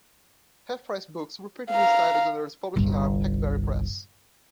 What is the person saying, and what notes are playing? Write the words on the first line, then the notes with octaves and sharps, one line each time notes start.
Half Price Books reprints these titles under its publishing arm, Hackberry Press.
F5 A#5
G1 C2